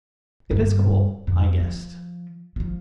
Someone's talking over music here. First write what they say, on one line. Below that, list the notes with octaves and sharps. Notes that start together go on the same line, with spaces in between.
"Episcopal?" I guessed.
G2
F2 F#3
F3
F3 F#3